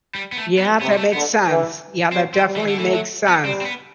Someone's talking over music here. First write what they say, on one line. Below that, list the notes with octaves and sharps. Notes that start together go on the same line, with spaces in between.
Yeah, that makes sense, yeah, that definitely makes sense.
G3
B3
A3
B3
C3 B3
G3
A3
D3 B3
E3
F#3 C4
C4
G3
E3
D3
E3 A3
F#3
B3
G3 C4
C4
B3